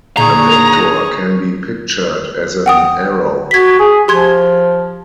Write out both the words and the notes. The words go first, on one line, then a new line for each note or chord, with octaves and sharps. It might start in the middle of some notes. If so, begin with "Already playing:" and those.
A vector can be pictured as an arrow.
D#2 A#2 D3 G#4 A#5 C#6
F#5 G5 D#6
F#4 G#6 B6
G#4
F3 G4 C6 G#6